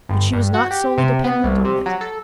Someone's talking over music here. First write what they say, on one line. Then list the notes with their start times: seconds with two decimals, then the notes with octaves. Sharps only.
But she was not solely dependent on it.
0.09 G1
0.33 G2
0.54 F#4
0.71 G4
0.98 C3
1.24 B3
1.44 C2
1.65 C3
1.86 F#3
2.01 A4